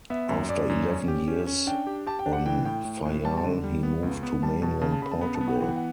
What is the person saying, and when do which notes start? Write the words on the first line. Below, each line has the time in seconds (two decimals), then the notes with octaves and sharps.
After eleven years on Faial, he moved to mainland Portugal.
0.10 B3 E5
0.29 F#2
0.49 F#2 D5
0.69 F#2
0.88 C#4
1.08 G4
1.28 C#4
1.47 C#4
1.67 D4 G5
1.87 G4
2.06 G4 A5
2.19 G5
2.26 D4
2.33 F#5
2.46 E3 G5
2.66 A2 G5
2.85 A2
3.05 A2
3.24 G3 A5
3.37 A5
3.44 D3
3.64 G3
3.83 B3
4.03 C#2
4.23 B3
4.43 G3 A5
4.62 B2 A5
4.81 C#3 A5
4.92 A5
5.02 C#3 B5
5.11 A5
5.21 B3 B5
5.35 A5
5.41 B3
5.48 F#5
5.55 G5
5.60 E3 F#5
5.69 G5
5.76 F#5